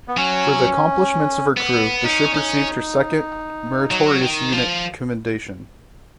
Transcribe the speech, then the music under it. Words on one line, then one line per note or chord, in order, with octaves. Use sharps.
For the accomplishments of her crew, the ship received her second Meritorious Unit Commendation.
B3
F#3 C#4
B3
C#4 D#4
C#4
F#3
D#3
F3